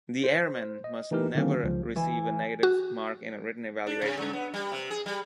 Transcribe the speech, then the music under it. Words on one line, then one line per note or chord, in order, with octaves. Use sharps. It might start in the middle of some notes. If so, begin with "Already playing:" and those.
The airman must never receive a negative mark in a written evaluation.
C5
D#5
E3 A3 D#4 G4 A#4
D3 D#3 F#3 A#3 C4 C#4
C#2 F3
E3
F#4
D4
C3
C#3
B3
G3
C3
G#4
G3